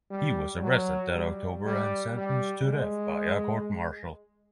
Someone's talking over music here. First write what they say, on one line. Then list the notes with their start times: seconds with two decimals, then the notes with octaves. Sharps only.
He was arrested that October and sentenced to death by a court-martial.
0.11 G3
0.62 F#3
1.14 G3
1.65 G3
2.17 G3
2.69 G#3